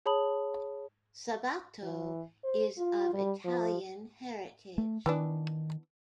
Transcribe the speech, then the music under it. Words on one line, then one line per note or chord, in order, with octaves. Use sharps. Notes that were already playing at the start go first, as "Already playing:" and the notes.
Sabato is of Italian heritage.
G#4 C#5 A5 B5 D#6 F#7
E3
C5
F4
G3
F3
A3
D#3 E3 B3 D4